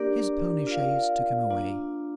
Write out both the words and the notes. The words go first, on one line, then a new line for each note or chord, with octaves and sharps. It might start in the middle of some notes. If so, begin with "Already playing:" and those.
His pony-chaise took him away.
Already playing: A#3 D4 G4 A#4 D5
F4 A#4 D5 F5
A#3 D4 F4